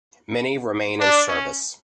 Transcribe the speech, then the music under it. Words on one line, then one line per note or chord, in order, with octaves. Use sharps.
Many remain in service.
D4
C#4